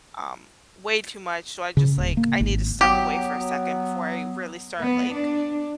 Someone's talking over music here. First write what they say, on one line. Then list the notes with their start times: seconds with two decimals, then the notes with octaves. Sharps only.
um, way too much, so I just like I need to step away for a second before I really start like
1.77 C#3
1.98 D1
2.17 A#3
2.41 G#1
2.81 F#3 B3 G4
4.79 B3
5.14 D4